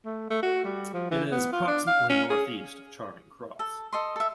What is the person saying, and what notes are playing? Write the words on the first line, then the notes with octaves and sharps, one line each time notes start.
It is approximately north-east of Charing Cross.
A3
A3
F#4
G3
F3
E3
B3
F4
D4
F5
C#4
G#4
A4
A4 D#5 C6
A4 E5